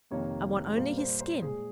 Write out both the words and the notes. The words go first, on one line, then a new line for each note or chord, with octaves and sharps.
I want only his skin.
F2 C3 D#3 A#3 C#5
A#2 G3 A#3 C5
C5
C5
A#2 G#3 G#4